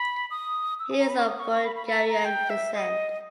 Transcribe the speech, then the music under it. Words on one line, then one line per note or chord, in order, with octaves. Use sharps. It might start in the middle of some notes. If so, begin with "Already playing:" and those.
He is of Bulgarian descent.
Already playing: B5
D#6
E6
G#5
A#5
B5
C#6
D#6
C#6
C#6
B5
B5
B5
A#5
A#5
G5
E5
D#5